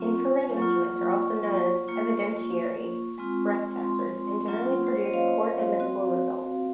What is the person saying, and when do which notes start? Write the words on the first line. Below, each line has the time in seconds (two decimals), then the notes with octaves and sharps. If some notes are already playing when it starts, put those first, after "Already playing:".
Infrared instruments are also known as "evidentiary breath testers" and generally produce court-admissible results.
Already playing: F#3 C4 F4 C#6
0.57 F#3 A#3 F4 C#6
1.23 C#6
1.88 A#3 F4
3.18 G#3 C4 F4
3.83 C6
4.48 F#3 A#3 C#4 F4
4.87 C5
4.95 C#5
5.05 D#5
5.14 F5
5.79 C4 F#4